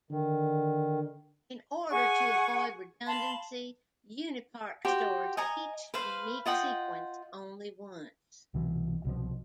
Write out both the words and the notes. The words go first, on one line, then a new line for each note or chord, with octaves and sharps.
In order to avoid redundancy, UniParc stores each unique sequence only once.
D3 D#3
G#4 F#5 G#5 C#6
F5 A5 B5 C6
F#4 G4 C5
D#5 G#5 A#5
B4 C5 F5
F4 D#5 F#5 G5
C2 B2 E3
C2 B2 F3